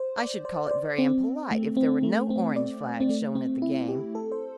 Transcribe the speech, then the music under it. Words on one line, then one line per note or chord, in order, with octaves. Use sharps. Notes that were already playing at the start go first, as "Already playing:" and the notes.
"I should call it very impolite if there were no orange flags shown at the game."
Already playing: C5
D5
C5
D5
C5
C4
A3
C4
A3
C4
D5
C4
A3
C4
E4
G4
A4
C5